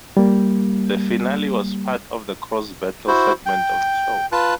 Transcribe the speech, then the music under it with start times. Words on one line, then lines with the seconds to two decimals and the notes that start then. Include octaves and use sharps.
The Finale was part of the Cross Battle segment of the show.
0.17 G3 A#3
3.08 E4 F#4 C5
3.46 G5
4.32 F4 B4 A5 F#6